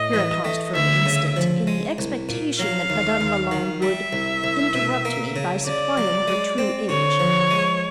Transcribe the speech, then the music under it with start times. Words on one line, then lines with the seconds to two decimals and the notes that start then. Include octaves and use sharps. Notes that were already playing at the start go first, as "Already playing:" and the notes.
Here I paused for an instant, in the expectation that Madame Lalande would interrupt me by supplying her true age.
Already playing: A2 D#5
0.13 E3
0.45 A3
0.75 D2 E5
1.06 C#3
1.36 F3
1.67 G#3
1.98 C2
2.29 A#2
2.59 F#3 F5
2.90 D#2
3.21 D#2
3.51 D#3
3.82 G3 E5
4.13 C2
4.44 C2
4.74 B2
5.05 A#3
5.36 C#3
5.66 C#3 D5
5.97 F#3
6.28 G#3
6.58 C4
6.89 D3 C#5
7.19 F3
7.51 G#3